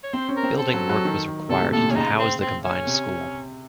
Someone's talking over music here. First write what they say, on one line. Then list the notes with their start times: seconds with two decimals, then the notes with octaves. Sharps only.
Building work was required to house the combined school.
0.03 C#5
0.13 C4 C5
0.29 C#4
0.37 A#4
0.43 C4
0.58 A4
0.74 F#3
0.89 F#3
1.05 D#3
1.50 C3 A4
1.62 A2
1.72 A#2 A4
1.84 C3
1.91 C#4
1.95 C#3 D#4
2.19 C4
2.41 C4
2.64 C#4
2.87 C3